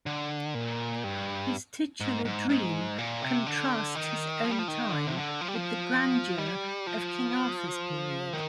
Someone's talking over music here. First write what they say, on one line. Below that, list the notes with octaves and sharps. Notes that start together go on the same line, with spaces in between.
His titular dream contrasts his own time with the grandeur of King Arthur's period.
D3
A#2
G2
G#2
G#2
G#2
A#2
C3
D3
D#3
F3
G3
F3
D#3
D3
C3
D3
F3
G3
F3
G3
F3
D#3